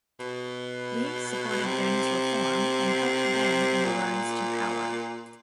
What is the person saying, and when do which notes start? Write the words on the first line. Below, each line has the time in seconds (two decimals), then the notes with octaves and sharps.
Li supported Deng's reform and helped Deng in the rise to power.
0.19 B2
1.66 C3
3.85 A#2